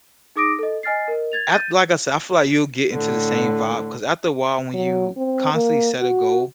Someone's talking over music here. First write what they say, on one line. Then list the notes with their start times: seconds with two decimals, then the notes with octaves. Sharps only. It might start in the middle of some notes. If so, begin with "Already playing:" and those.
ac Like I said, I feel like you'll get into the same vibe, ‘cause after a while, when you constantly set a goal
0.36 D#4 G#4 D6 D#6 A#6 D7
0.59 A4 D#5
0.83 D#5 G#5 F6 A6 C7
1.08 A#4 D#5
1.32 G#6 A6 F7
1.49 G6 A6 D#7
2.92 A2 D3
4.74 F#3
5.17 C4
5.54 A#3
5.99 F#4